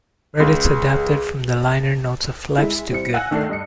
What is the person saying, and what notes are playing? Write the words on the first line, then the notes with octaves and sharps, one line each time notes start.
Credits adapted from the liner notes of "Life's Too Good".
C#2 G#4
G#3 E4
G3 C4 E4 C#7
F5 F#5 G#5 E6 F#6 A#6
D2 D#3 A3 D4 C7
G2 D#5 C#7